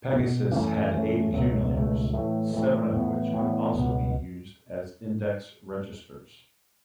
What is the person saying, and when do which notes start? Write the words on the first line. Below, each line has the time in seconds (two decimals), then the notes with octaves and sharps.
Pegasus had eight accumulators, seven of which could also be used as index registers.
0.13 B2 B3
0.53 F#2 E3 A3 C#4
0.92 F#2 E3 A3 C#4
1.33 C#2 B2 F#3 A3
1.73 C#2 B2 F#3 A3
2.13 A2 E3 A3
2.53 A2 E3 A3
2.93 A2 E3 B3
3.33 A2 E3 B3
3.73 C#2 B2 B3